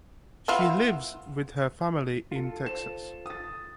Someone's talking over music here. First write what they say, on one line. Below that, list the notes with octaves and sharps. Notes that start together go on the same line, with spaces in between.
She lives with her family in Texas.
B3 E4 F4
F4 A4
C5 E7
D#6 A6